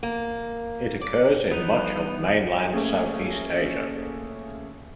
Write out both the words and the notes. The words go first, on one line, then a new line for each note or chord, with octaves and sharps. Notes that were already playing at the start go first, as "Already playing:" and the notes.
It occurs in much of Mainland Southeast Asia.
A#3
D5
B3 D#4 G#4 B4 D#5
F3 G3 E5
A3 A#3 C#4 G#4